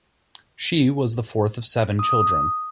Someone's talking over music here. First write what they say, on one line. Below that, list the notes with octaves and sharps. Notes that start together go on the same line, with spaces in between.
She was the fourth of seven children.
D#6